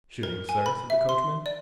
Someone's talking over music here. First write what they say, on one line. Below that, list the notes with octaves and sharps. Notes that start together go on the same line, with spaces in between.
'Shooting, sir?' said the coachman.
A#4
G#5
B5
E5
C6
D5